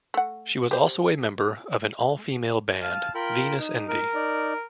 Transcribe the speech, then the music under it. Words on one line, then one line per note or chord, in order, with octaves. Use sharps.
She was also a member of an all-female band, Venus Envy.
A3 F#5
G4 C5
F5 A5
F4 A#4 G5 B5
D#4
A#4
D#4 D5